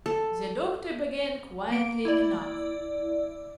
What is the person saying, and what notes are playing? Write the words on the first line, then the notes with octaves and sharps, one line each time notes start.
The doctor began quietly enough.
A4
A#3 D7
E4 D5